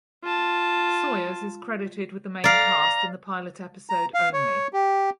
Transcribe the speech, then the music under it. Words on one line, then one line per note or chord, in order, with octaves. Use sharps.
Sawyers is credited with the main cast in the pilot episode only.
F4 A5
D5 F5 A#5
A#5
F5
C#5
G4